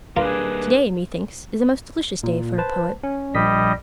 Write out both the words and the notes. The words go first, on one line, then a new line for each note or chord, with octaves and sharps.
Today, methinks, is a most delicious day for a poet.
G3 A#3 D4 F4 G#4 A#4 B4
A#2
B4 C5 A5
C#4
A#1 G3 D#5 B6